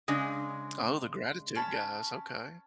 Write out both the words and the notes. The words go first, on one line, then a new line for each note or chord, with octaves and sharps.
Oh, the gratitude guys. Okay.
C#3 G#3 D4 D#6
C#4 A5 B5